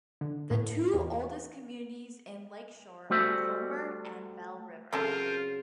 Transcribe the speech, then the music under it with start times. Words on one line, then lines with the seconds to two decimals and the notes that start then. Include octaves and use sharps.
The two oldest communities in Lakeshore are Comber and Belle River.
0.21 D3
0.50 A2
0.94 E2
3.10 G3 A3 F#4 C5 E5
4.93 C#3 F#3 C4 F4 A4 A#4 C5 A5